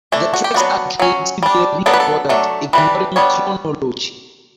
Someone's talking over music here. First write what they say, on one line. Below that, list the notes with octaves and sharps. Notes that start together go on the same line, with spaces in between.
The tracks are creatively re-ordered, ignoring chronology.
E3 A3 D4 E4
F#4
G4
F#3 B3 D4 F#4
F#3 C#4
G3 D4
F#3 B3 D4 A4
B4
A4
F#3 A3 D4
E3 G3 D4 B4
G3 B3 D4 C#5